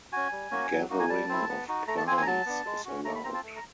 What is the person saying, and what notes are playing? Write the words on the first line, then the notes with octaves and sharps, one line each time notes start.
Gathering of plants is allowed.
C#4 F#4 G#5
G3
A#3 C#4 F#4
F#3
A#3 D#4 F#4
G#5
G3 A5
C4 E4
B3
D#4 F#4
A3 A#5
A5
C4 F4 G#5
G#5
A#5
F#3 A5
B3 D4
G#3
C#4 F#4
A3 A#5
B5
C4 F4 A#5
A5
A3
A#5